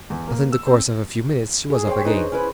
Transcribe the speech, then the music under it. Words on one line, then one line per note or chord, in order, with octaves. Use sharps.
But in the course of a few minutes she was up again.
E2
A#3
E6
C4
G#4
C5 C#5 F5 G5
D4 D#4 B4
C#4 E4 B4